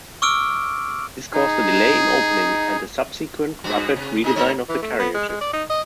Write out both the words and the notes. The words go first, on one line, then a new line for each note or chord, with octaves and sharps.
This caused a delay in opening, and a subsequent rapid redesign of the carriages.
C#6 D6 E6 F6 D7
D#4 G#4
G2 B2 F#4
C3
B2 D#4 G#4
A3 D#4 C#5
E3
A3
B3
G#3
G#3
D5
D#4
D#5